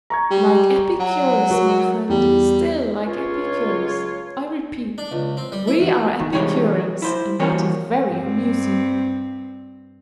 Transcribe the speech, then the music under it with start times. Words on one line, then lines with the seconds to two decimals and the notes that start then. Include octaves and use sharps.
"Like Epicurus, my friend, still like Epicurus; I repeat, we are Epicureans, and that is very amusing."
0.10 A#5 C#6 G#6
0.31 G3
1.00 F#3
1.51 F#4 A#4 C#5
2.09 E2 G3
3.06 C#2 F4 C#5
4.98 D4
5.12 C#2
5.37 C4
5.52 G3
5.67 E4
5.79 E2
6.20 D#3
6.33 C3 E3 G3 G#3 C#5
7.02 E4 C5
7.39 E3 G3 A#3 F#4 A#4 C#5
8.04 G2 C4